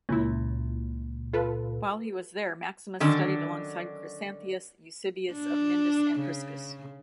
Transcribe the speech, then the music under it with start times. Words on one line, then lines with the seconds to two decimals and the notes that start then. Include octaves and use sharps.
While he was there, Maximus studied alongside Chrysanthius, Eusebius of Myndus, and Priscus.
0.09 C#2 A#2 C#4 E4
1.33 F4 A4 B4
3.00 D3 D#3 F#3 C#4 D4
5.33 D4
6.19 C#3